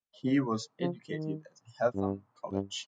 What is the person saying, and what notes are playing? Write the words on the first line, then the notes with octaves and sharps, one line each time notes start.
He was educated at Eltham College.
C3
F3
D#3
G2
G2